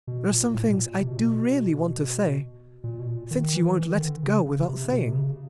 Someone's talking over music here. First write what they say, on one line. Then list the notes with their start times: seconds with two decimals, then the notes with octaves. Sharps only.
There are some things I do really want to say, since you won't let it go without saying.
0.07 B2
0.30 A#2
0.54 A2
0.65 B2
0.77 A#2
1.00 C3
1.08 B2
1.16 A#2
1.24 B2
2.84 A#2
2.99 B2
3.07 A#2
3.31 D#3
3.53 E3
3.77 E3
3.89 D#3
3.99 D3
4.23 C#3
4.46 C#3
4.69 C3
4.92 B2
5.09 C3
5.15 C#3